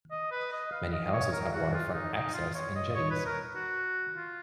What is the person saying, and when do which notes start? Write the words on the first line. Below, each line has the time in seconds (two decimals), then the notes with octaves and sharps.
Many houses have waterfront access and jetties.
0.11 D#5
0.32 B4
0.52 D#5
0.72 F5
0.93 D#5
1.13 C#5
1.33 A#4
1.53 F#4
1.74 F4
1.94 D#4
2.14 D#4
2.34 F4
2.55 C#5
2.75 D#5
2.95 C#5
3.11 B4
3.26 A#4
3.56 F#4
4.17 F4